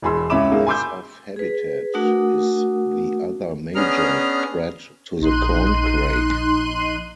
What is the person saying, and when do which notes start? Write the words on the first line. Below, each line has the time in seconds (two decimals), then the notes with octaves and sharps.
Loss of habitat is the other major threat to the corn crake.
0.02 E1 E2 G#4 B5 C6 E6
0.30 C#2 C#4 E4 B5 D6 E7
0.52 G#3 A#3 D#4 E4
0.67 G#5 B5 C6 D6 E6 G6
1.36 G#4 B4
1.94 A3 D4 F#4 A#4 F#5 D#6
3.75 B3 C#4 D4 G#4 A#5 F6
5.20 A#1 D#4 C6 F#6 D#7